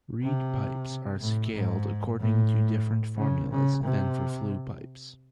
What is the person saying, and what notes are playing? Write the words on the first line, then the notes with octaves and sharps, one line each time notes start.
Reed pipes are scaled according to different formulas than for flue pipes.
C3
A2
G#2
A2
C#3
C#3
C3